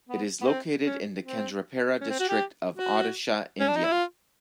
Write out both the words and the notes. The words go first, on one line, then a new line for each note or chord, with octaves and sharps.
It is located in the Kendrapara district of Odisha, India.
B3
B3
C4
C#4
C4
C#4
C4
F#4
G4
F#4
C#4
D4
D#4
E4
F4